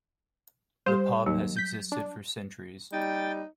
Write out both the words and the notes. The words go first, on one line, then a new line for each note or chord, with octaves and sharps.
The pub has existed for centuries.
G3 G4 C5
D#2 F#3
G6 B6
D4
G3 D#4 G5 A6